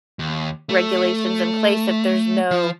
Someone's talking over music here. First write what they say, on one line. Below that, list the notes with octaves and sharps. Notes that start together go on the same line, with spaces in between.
regulations in place if there's no,
D#2
A3
F3